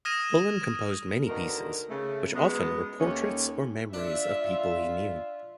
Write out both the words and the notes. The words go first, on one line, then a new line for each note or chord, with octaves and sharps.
Pullen composed many pieces, which often were portraits or memories of people he knew.
D#6 F6 G#6 A#6 D#7 E7
D2 B2 D#3 A#4
C#3 A3
F#2 G#3 B3
D#2 A3 C#4
D4 F4 E5